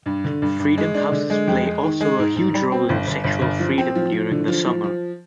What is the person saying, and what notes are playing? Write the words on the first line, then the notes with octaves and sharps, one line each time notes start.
Freedom houses play also a huge role in sexual freedom during the summer.
G2
D3
G2
G2
G#3
D4
D3
G#3
F2
G#3
D#3
G#3
G#2
G#2
G3
C4
G1
G1
G1
G1
F3
C4
F3
F3
D3
F3
F3
F3